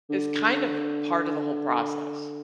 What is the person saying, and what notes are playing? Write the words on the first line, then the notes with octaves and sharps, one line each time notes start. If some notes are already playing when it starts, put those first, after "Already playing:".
is kind of a part of the whole process.
D3